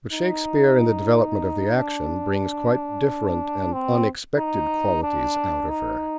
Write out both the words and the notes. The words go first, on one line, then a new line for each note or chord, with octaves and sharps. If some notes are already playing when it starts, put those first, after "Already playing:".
But Shakespeare, in the development of the action, brings quite different and unexpected qualities out of her.
D#4
D4
C4
D#4
D4
D#4